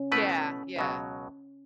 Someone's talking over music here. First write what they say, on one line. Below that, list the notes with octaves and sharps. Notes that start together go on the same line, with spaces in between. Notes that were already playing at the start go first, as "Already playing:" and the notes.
Yeah, yeah.
Already playing: C#4
B2 A3 E4 B4
C#2 B2 F#3